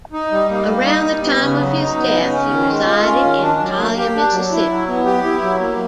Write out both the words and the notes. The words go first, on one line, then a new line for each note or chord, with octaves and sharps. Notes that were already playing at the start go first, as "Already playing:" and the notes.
Around the time of his death, he resided in Byhalia, Mississippi.
D#4
G3
A#3
G3
D#4
G3
B3
C#3
F#3
D#4
B3
C#3
C#4
D#3
G#3
F4
C#4
D#3
D4
F#3
A#3
G4
D4
F#3
E4
F#3
B3
G4
E4
F#3
A#3